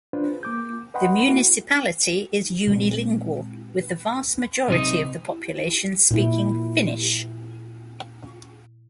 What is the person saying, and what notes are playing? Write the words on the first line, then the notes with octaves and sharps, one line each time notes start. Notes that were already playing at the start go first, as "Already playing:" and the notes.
The municipality is unilingual with the vast majority of the population speaking Finnish.
D4 F4 B4 C5
A#3 D6 G6
B4 D#5 F#5 G5 B5 C6
A#3 E4 F#4
A#2 G#3 C4
B1 C3 D#4
A#2 E4